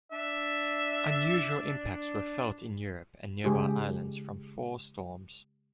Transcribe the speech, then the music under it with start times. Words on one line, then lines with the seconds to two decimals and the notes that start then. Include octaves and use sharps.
Unusual impacts were felt in Europe and nearby islands from four storms.
0.12 D4 E5
3.44 C#3 G#3 D#4 G4 G#4